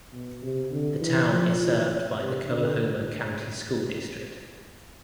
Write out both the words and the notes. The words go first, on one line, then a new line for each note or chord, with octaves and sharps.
The town is served by the Coahoma County School District.
B2
C3
D3
E3
F3
E3
C3
D3